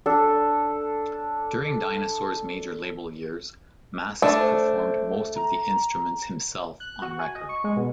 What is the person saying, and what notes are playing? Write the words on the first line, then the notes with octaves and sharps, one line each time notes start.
During Dinosaur's major label years, Mascis performed most of the instruments himself on record.
D4 A4
A3 D4
C5
A#5
F#6
F#4
G#5
D#5
C#6
G#3
B2